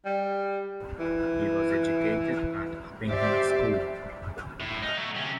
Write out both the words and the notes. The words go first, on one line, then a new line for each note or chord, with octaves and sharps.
He was educated at Uppingham School.
G3
E3
G4 C5 D5 E5
A2
D#4
F#3 A3
C3 C#4